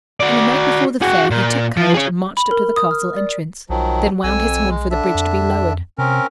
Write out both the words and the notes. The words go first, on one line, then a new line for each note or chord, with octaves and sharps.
On the night before the Fair he took courage and marched up to the castle entrance, then wound his horn for the bridge to be lowered.
F#4 D5
F#4 G#4
A#2
F3
G#4 C#5
B5
A#4
D#6
F6
D5
B1 D#3 F3 F#3
B1 F2 G#5 E6
G#3
D3 D4 E5
F2
C3 C4 C#4 A#4